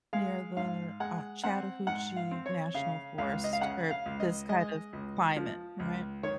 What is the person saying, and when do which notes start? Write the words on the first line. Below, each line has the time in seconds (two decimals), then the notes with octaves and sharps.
near the, uh, Chattahoochee National Forest, or this kind of climate, right?
0.13 G#3 F5
0.57 G#2 F5
1.00 G#3 F#5
1.44 C4 F#5
1.87 G#2 F#5
2.16 F5
2.31 C4
2.46 C#5
2.74 C#3 F5
3.18 C#2 F5
3.44 D#5
3.53 F5
3.61 C#3 F#5
3.91 F5
4.06 C#2
4.20 D#5
4.49 G#3 D#5
4.93 C#2
5.37 F3
5.80 C#2
6.23 D#3 C#5